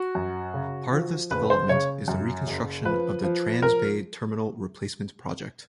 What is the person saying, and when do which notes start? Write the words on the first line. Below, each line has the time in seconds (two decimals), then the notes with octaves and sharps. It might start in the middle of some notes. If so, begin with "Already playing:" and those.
Part of this development is the reconstruction of the Transbay Terminal Replacement Project.
Already playing: F#4
0.15 F#2
0.54 C#3
0.92 F3
1.31 F#1 B4
1.50 C5
1.69 C#3 C#5
2.08 F#2
2.47 F#1
2.85 F3 B4
3.23 F3
3.62 A#4